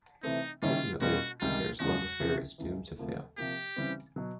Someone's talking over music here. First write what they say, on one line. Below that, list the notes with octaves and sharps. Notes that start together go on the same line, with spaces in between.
Ultimately, the pair's love affair is doomed to fail.
C3 E3 A3 C4 D#4
D#3 G3 A#3 C#4 E4 F4
B2 G3 A#3 C#4 F4 F#4
C#2 C3 D#3 G3 F4
E2 C#3 F3 G#3 F#4
C3 F3 A#3 C#4 E4
C#2 C#3 E3
D2 C3 F3 A#3
C3 F3 A#3 G4
C#3 E3 G3 C4
B2 F#3